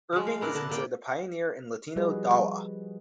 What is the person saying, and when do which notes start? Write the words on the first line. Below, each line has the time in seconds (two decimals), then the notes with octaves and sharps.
Irving is considered a pioneer in Latino Dawah.
0.13 F3 G#3
0.27 F5
0.41 A#2 B3 D4 E4 A#4
0.54 D3 B3 A5
0.69 A2 C3 A#3 D5 G5
1.96 F3 G3 F#4 G#4 B4 D#5